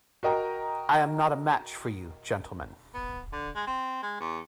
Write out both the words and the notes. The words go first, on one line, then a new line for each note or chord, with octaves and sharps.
I am not a match for you, gentlemen.
F#4 A#4 D#5 G5 A#5
B3
D3
G#3
C4
G#3
E2